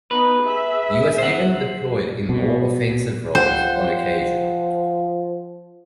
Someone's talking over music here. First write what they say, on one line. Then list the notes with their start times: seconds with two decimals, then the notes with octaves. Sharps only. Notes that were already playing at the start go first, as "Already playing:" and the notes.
He was even deployed in more offensive roles on occasion.
0.11 B3 D#4 B4
0.41 G#4 E5
1.18 C5 F#5
2.29 B2
3.35 F3 C5 F#5 G5